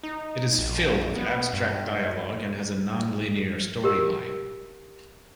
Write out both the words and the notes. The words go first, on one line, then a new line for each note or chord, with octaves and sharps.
It is filled with abstract dialogue and has a non-linear storyline.
D#4
A#1
B3
G2
G4 A#4